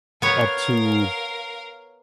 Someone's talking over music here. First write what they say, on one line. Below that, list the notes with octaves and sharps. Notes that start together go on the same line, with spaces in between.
up to"
B3 A#4 C#5 F5